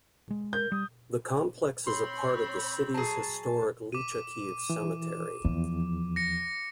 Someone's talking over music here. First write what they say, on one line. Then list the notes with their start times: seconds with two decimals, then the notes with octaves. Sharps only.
The complex is a part of the city's historic Lychakiv Cemetery.
0.30 G#3
0.53 A#4 G6
0.72 G3 D#6
1.87 C4 C#5 B5 C6
2.94 F#3 G#4 A5
3.92 D6 D#7
4.70 E3
5.45 E2 F3
6.16 A#6 C#7